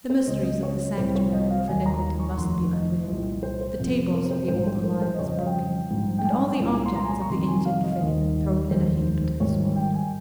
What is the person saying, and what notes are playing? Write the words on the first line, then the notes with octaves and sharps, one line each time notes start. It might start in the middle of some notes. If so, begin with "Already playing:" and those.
The mysteries of the sanctuary of iniquity must be unveiled, the tables of the old alliance broken, and all the objects of the ancient faith thrown in a heap to the swine.
C5
C#2 C#3 G#3 D#5
D#5
C#5
C2 C3 G3 C5
C#5
D#5
F5
D#2 D#3 G3 G#5
A#5
C#6
C#6
F1 F2 D#3 C6
D#5
C2 A#2 G3
C5
C5
F2 C3 F3
A#4
C5
A#1 G#2 G3 C5
C5
A#4
C5
D#5
F2 C#3 G3 C#5
D#5
F5
G5
A#1 G#2 G3
G5
G#5
C2 A#2 G#3
C6
A#5
G#5
A#5
C#6
F2 C3 D#3 G3 C6
G#5
F5
D#5
F5
D#2 D#3 G3 D#5
F1 D#2 D#3 G#3 C5
G#1 G#2 D#3 G3 C#5
G5
G#5